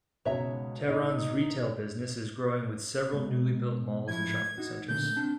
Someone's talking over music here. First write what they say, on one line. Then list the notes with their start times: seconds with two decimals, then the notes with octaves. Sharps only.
Tehran's retail business is growing with several newly-built malls and shopping centers.
0.25 C#2 G#2 B2 C#5 E5 A#5
0.88 A#2 D#4
3.13 G#2 B2
4.08 A2 F3 E4 G#6
4.58 D#4 F#4
4.88 A#2 D3 A3 G6
5.16 C4 D4 A5